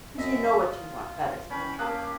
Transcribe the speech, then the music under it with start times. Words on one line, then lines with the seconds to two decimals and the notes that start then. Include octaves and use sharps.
‘Cause you know what you want. That is for true.
0.18 F#2 D#5 E5
0.59 F4 D#6
1.50 E3 C#4 G5 B5
1.79 A#3 G4 F5 A5 D#6 F#6